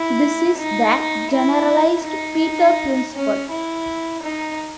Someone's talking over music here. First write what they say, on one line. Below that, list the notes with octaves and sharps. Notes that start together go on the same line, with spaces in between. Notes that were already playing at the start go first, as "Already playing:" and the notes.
This is the "generalized Peter Principle".
Already playing: E4
D#4
E4
D#4
C#4
E4
D#4